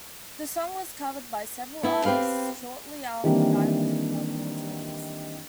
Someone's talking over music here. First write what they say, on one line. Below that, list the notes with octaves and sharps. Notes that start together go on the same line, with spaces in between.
The song was covered by several artists shortly after Diamond's recording was released.
B3 E4
C4 G4 B4 F5
D#3 E3 G3 A#3 C4 D4